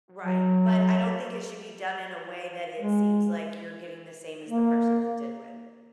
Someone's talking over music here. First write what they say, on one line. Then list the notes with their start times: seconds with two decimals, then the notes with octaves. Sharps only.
Right, but I don't think it should be done in a way that it seems like you're getting the same as the person that did win.
0.24 F#3
2.79 G#3
4.49 A#3